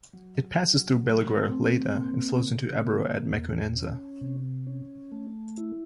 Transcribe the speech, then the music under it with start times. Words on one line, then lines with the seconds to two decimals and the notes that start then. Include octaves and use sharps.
It passes through Balaguer, Lleida and flows into the Ebro at Mequinenza.
0.13 F#3
0.58 F#3
1.04 A3
1.49 C4
1.94 A#3
2.39 C#3
2.85 A#3
3.31 E2
3.76 C#4
4.21 C3
4.67 C#4
5.12 A3
5.57 E4